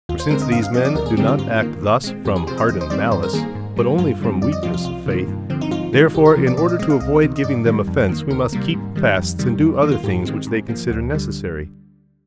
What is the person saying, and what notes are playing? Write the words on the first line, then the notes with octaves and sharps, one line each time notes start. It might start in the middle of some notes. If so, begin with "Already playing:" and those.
For since these men do not act thus from hardened malice, but only from weakness of faith, therefore, in order to avoid giving them offence, we must keep fasts and do other things which they consider necessary.
D#2 F4
C5
D3 G#3 C4 A#4
D#5
G2 F5
F5
F3 C4 D#5
D5
D2 A#4
G#4
D3 G3 C4 G4
F4
G#2 F4
D#3 A#3
A#2
G#3 C4
F2 G4
G#4
C3 F3 C4 C5
D#5
D#2 D#5
C5
D#3 G3 C4 D5
G2 C5
A#4
D#3 A#3 G#4
G#2
G3 A#3
G2 F4
D3 G3 C4
F2 D5
D#5
C3 F3 C4 F4
F4
C2 F4
C3 D#3 A#3
G2
D3 F3 C4
D#4
G#2 F4
D#3 G#3
C2 G4
A#4
C3 F3
D5
A#2 D5
D#5
G#3 C4 D#5
F5
C2 D#5
C3 D#3
D#5
G2 D5
D#3 G3 A#3
F2
D#3 A#3
D2 A#4
C3 G3 A#3
G#2
D#3 G3
F2
C3 D#3 G3
F2
D#3 A#3
F4
G#2 G4
D#3 G#3 C4
G#2
F3 A#3
D2
D3 G3